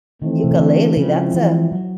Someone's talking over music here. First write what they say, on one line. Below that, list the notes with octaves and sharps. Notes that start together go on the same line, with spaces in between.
Ukulele, that's a
D#3 E3 A3 C4
C3
C#3
D3
C#3 F3 G#3 C4 E4
E3
F#3